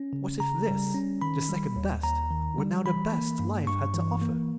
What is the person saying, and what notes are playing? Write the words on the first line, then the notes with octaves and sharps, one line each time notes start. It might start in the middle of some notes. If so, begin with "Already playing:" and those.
What if this, the second best, were now the best life had to offer?
Already playing: C#4
C#3
C#3 A#5
G3
C#4
D#3 B5
G3
D#2
D#2 A#5
D#3
G3
E3 B5
A#3
G2
G2 C#6
E3
A#3